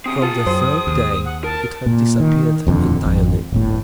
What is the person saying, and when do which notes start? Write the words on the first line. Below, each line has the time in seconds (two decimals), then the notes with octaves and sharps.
From the third day it had disappeared entirely.
0.06 C#3 C4 D#6
0.22 F4 G#4 A5
0.47 F#2 C5
0.87 D#2
1.25 F#5
1.44 A#4 A5
1.86 A#2
2.20 D#3
2.66 D#1 F2 A#2 D3
3.04 G#1 F2
3.52 D1 G1 A2